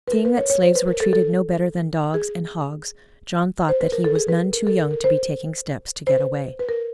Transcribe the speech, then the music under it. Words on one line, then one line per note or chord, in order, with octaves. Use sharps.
Seeing that slaves were treated no better than dogs and hogs, John thought that he was none too young to be taking steps to get away.
B4
A#4
B4
C#5
C#5
C5
B4
A#4
A4
A4
G#4
C5
B4
A#4
A4
G#4
B4
A#4
A4
A#4
A#4
C5
C5
B4
B4
A#4